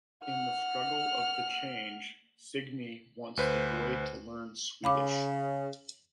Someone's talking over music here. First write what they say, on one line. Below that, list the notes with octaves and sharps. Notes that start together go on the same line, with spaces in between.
In the struggle of the change Signe wants the boy to learn Swedish.
F#5 F6
D2 B4 C5
C#3 F5 B5 D6